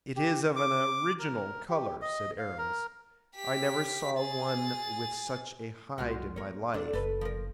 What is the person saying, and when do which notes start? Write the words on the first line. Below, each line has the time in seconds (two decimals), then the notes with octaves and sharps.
"It is of an original color," said Aramis; "I never saw one with such a hide in my life."
0.16 G4
0.56 D6
1.19 A#4
1.69 G4
2.02 D#5
2.38 F5
2.58 A#4
3.36 G4 B6
4.19 G#4 A6
5.98 C2 F#3 G#3 F4 F#4
6.36 A#3 B3 A#4 C#5
6.74 B3 D4 A4
6.93 F#1 A4 B4
7.21 F3 A#4